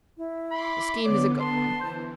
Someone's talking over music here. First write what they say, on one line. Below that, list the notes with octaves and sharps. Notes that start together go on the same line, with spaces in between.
The scheme is a good one.
E4
B5 C6 D6
D3 B3 C#5 D5
A5 C6
E3 C5